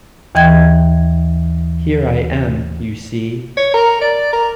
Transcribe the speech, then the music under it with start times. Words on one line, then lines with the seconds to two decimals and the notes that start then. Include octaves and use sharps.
Here I am, you see!
0.35 D#2 E3 D#5 G5 G#6
3.57 C#5
3.74 A#4
4.01 D5
4.33 A#4